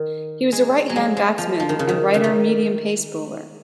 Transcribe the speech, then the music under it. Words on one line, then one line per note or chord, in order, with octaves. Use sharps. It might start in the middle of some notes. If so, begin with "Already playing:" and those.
He was a right-hand batsman and right-arm medium pace bowler.
Already playing: D#3
G#3
F#3
G#3
G#3
F3
F3
D#3
C#3
D#3
C#3
D#3